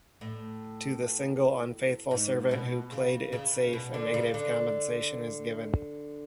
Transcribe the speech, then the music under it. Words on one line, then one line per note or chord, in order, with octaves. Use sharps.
To the single unfaithful servant who "played it safe," a negative compensation is given.
A2
G#2
B2
C#3
C#3
B2
D3
C#3
D3